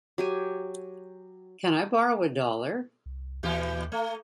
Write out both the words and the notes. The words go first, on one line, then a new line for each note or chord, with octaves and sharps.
Can I Borrow a Dollar?
F#3 G4 G#5
C2
D#2 A#2 E3 G4
A3